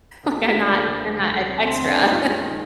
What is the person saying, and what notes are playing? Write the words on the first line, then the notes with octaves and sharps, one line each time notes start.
like, I'm not I'm not ex extra,
D2
G#3 G4
F4
D3 D4
D2 A#3
D2
G#3
D2
G3
C3
D2 C4
D2
D4
G3 D#4
G2 F4
G#3
D#3